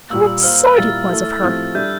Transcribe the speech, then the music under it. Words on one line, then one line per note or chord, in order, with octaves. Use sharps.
How absurd it was of her!
A#2 G3 A#3 E6
E6
A#3 F4 C5 F6
A#2 G3 A#3 E4 A6
A3 E4 A4
A2 F3 A3 C4 G4
G3 D4 A4 E5 G6